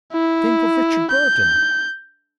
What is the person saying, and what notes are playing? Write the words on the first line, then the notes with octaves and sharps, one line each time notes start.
Think of Richard Burton!
E4
G6